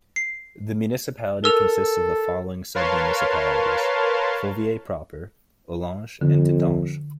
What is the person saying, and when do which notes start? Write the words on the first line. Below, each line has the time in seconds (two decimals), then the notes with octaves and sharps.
The municipality consists of the following sub-municipalities: Fauvillers proper, Hollange, and Tintange.
0.16 C7
1.44 A4 A#4 E6 F7
2.75 A#4 B4 C#5 F5 A5 C6
6.21 F2 D3